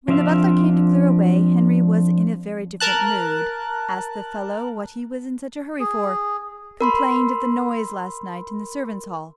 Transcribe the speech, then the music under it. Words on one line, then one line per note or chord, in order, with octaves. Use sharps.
When the butler came to clear away, Henry was in a very different mood--asked the fellow what he was in such a hurry for, complained of the noise last night in the servants' hall.
F3 C4 D4 E5 F5
A#4 A5 F#6
G#4
A#4 B5 C6